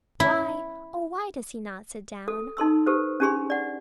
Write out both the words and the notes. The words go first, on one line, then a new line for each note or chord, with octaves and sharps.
Why, oh, why does he not sit down?
E4
A4
D#4 A4 C6 E6
G4 A4 B4 C5
C#4 D4 G4 G#4 B5 C6
D5 F#5